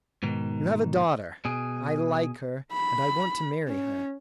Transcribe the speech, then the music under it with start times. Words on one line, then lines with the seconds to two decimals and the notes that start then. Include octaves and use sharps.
"You have a daughter!--I like her--and I want to marry her!"
0.23 G#2 B2 D#3
1.45 B2 G#4
2.73 B5
3.68 C#4